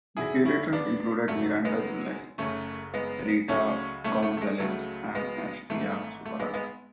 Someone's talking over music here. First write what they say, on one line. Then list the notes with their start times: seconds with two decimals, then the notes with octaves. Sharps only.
The curators included Miranda July, Rita Gonzalez, and Astria Suparak.
0.17 E2 D3 F#3 E4 G#4
0.45 C#4 E4
0.73 B3 D4
1.28 G#1 F#2 C#3 F#3 A3
1.65 G#3 B3
2.38 F#1 F#2 C#3 A3 C#4
2.94 G#3 B3
3.49 C#2 C#3 F#3 A3 C#4
4.04 A3 C#4
4.23 A3
4.37 A3
4.41 G#3
4.60 C#2 C#3 F#3 A3
5.15 G#3 B3
5.70 G#1 G#2 E3 A3
6.26 A3
6.39 G#3 B3
6.54 G#3 B3